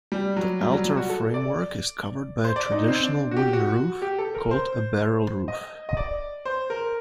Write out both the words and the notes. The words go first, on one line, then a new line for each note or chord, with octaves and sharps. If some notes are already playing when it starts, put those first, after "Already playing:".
The altar framework is covered by a traditional wooden roof, called a barrel roof.
G3
F#3
G3
F#3
G3
F#4
A4
D5
C5
D5
D#4
C4
D4
F#4
G4
F#4
G4
A4
A#4
C5
D#5
D#5
D5
C5
A#4